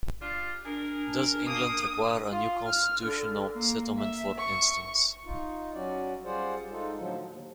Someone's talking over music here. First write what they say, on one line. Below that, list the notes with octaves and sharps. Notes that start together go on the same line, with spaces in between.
Does England require a new constitutional settlement for instance?
G3 D4 F4
D4 G#4 A#4
A#3 D#6
F4
F6
D3
A#3
E5
C#6
D#4 F4
F#3 C#4 F#4 D5
G3 F4 G#4 C5 D5 F#5
G#3 D#4 F4 A4
A2 D3 F3 F#3
D#2